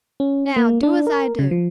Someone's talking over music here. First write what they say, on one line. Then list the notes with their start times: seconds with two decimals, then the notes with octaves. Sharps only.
Now, do as I do.
0.20 C#4
0.57 A#3
0.83 D4
1.07 A#4
1.39 C#3
1.51 F3